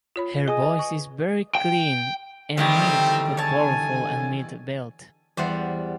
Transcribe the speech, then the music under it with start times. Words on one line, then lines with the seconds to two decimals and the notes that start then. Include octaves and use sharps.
Her voice is very clean and neat but powerful and mid-belt.
0.16 F4 C#5 B5
0.48 G#4 D#5 G#5 D#6
0.62 B4
0.79 C#6
1.55 G5
2.57 E2 D3 D#3 G3 A3 C4 E4 G4
3.37 C#5 G#5 A5
5.37 E2 G3 C5 F#5